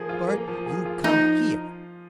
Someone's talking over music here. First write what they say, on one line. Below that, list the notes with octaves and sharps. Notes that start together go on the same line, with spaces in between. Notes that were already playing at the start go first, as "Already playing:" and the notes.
"Bart, you come here!"
Already playing: F3 A#3 G#4
F4
A#3
F3
G#4
F4
F3 D#4